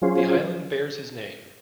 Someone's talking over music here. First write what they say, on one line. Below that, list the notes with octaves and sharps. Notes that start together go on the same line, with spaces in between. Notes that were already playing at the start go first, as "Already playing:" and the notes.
The island bears his name.
F#3 C#4 F4 G#4 C5